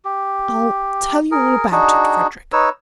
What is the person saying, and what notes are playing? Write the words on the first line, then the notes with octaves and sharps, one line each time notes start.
I'll tell you all about it, Frederic.
G4
G#4 A#4
D4 D#4 F#4 G#4
D#4 B4 C#5 E6